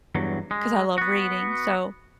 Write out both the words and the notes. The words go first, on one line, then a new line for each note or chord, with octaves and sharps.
'cause I love reading, so
E2 G2 F#3
G#3
B3 F#4